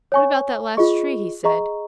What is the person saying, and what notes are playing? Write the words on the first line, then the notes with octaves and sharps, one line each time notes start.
"What about that last tree?" he said.
C#5 G#5 C#6
F4 G#4 D#5 C#6
G#4 D#5 A#5 C#6